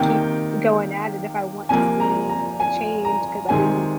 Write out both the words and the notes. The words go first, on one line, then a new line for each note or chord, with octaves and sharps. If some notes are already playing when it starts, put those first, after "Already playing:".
keep going at it if I want to see the change 'cause I didn't
Already playing: C3 D#3 A#3 G5
C3 F3 A#3 G#5
A#5
A#5
G#5
A#5
C3 D#3 G#3 C4 G#5